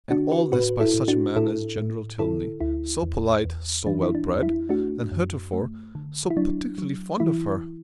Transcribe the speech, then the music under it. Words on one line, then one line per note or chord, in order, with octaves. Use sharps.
And all this by such a man as General Tilney, so polite, so well bred, and heretofore so particularly fond of her!
D3 D4 F#4
F#4 B4
A2 F#4 B4
E4 A4
A2
D4 F#4
A2 E4 A4
A2
D3 E4 A4
D2 E4
E2
E2
E3 D4
E4
D4
E2
E4
A3 D4 F#4
F#2
A3
D3
E4
F#3 D4
F#3
E3 E4